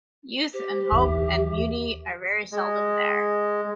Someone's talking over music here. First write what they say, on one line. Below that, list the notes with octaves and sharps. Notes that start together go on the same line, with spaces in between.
Youth, and hope, and beauty are very seldom there.
G4 C5
D#2 E3 E5
G#3